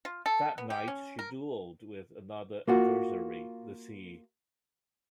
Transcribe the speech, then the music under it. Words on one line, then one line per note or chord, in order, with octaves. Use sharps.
That night, she dueled with another adversary - the sea.
F4
A4
B3
G4
C#4
A#4
A#3 F4 F#4